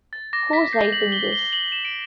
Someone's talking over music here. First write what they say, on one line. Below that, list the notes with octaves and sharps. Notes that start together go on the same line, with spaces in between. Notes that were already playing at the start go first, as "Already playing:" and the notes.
Who's right in this?
A6
D6 A#6
B6
G6 C7
F#7
D6 G7
G7
G6 F#7
E7
D7